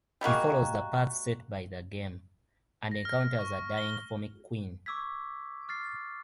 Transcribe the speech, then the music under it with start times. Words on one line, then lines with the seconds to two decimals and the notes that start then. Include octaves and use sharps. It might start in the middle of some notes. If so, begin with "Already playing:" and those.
He follows the path set by the game, and encounters a dying Formic queen.
0.21 G3 G#3 A#3 F#4
2.91 A#6
3.05 F6
3.39 C#6
3.78 G7
4.86 C#6 D6 E6 G#6 B6
5.68 D6 F6 A6 C7